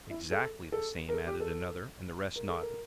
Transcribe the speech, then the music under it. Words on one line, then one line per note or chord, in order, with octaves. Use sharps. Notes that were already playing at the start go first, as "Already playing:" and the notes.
"Exactly the same," added another, and the rest nodded.
E4
A4
A4
A#4
A4
G4
A4
A#4
A4
A#4